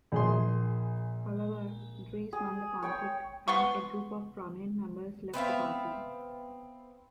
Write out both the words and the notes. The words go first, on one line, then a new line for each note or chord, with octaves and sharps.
However, Drees won the conflict, and a group of prominent members left the party.
A#1 G#4 C6
G#4
C#5 G5 C#6
B3 F#5 C6 C#6
B3 C4 E5 F5